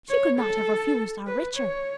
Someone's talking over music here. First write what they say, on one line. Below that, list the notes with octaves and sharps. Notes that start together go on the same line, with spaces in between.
She could not have refused our Richard.
C#5
A4
B4
C#5